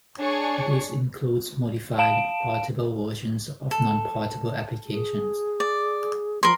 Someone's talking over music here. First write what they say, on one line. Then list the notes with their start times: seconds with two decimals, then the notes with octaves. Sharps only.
This includes modified portable versions of non-portable applications.
0.19 D4 G#4 C#5 C#6
1.98 F5 A5 D7 E7
3.71 A4
4.85 G#4
5.60 D5
6.43 F3 A#4 B5 C6